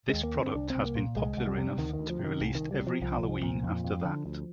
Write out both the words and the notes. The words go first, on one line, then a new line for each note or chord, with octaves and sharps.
This product has been popular enough be released every Halloween after that.
G#3
D#2
A#3
D3 C4
C2 D4
C4
C2
A#3
A#2
C2 G#3
C2
G3
C3
D2 D#3
D#3
D2
F3
C3
D#3
C2
D#3
C2
G3
C3
F3
C2 F3
C2
A#2
F2
F2
D3
D2